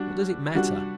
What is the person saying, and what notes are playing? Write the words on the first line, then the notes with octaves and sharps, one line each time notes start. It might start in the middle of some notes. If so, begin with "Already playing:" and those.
What does it matter?
Already playing: G3 D4 F#4
G3 D4 F#4